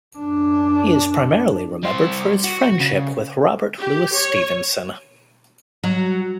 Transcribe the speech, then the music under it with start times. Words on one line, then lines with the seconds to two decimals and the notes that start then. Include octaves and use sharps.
He is primarily remembered for his friendship with Robert Louis Stevenson.
0.18 F#2 D4
1.83 G3 C5
2.44 F#4
2.80 C#3
3.79 G4
4.13 C#5
5.84 F#3